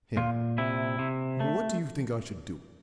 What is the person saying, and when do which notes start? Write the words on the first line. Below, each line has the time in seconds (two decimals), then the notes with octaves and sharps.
HIM: What do you think I should do?
0.17 A#2 F4
0.58 C3 E4
0.99 C3
1.40 A3